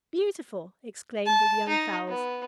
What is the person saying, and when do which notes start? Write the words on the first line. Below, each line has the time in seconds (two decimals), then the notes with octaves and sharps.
"Beautiful!" exclaimed the young fowls.
1.26 A5
1.68 D#4
2.08 B3